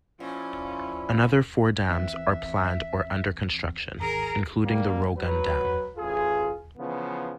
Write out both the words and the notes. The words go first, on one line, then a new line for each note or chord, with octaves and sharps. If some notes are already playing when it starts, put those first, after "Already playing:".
Another four dams are planned or under construction, including the Rogun Dam.
A#2 F3 C#4 E4
E3 C4 E5 F#6
G#1 G#4 A#4 A#5
G3 A#3
F#3 B4
A1 F4 G#4
C#3 E3 F3 B3